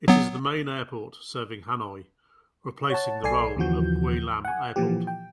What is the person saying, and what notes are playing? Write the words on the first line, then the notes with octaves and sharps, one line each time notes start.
It is the main airport serving Hanoi, replacing the role of Gia Lam Airport.
F#3 B3
C#5 F#5 A5
B1 A4 D5 G#5 C7
D#2 C#3 E3 F3 F#4 G6
F#5 G#5
A#2 E3 F3 G4
G5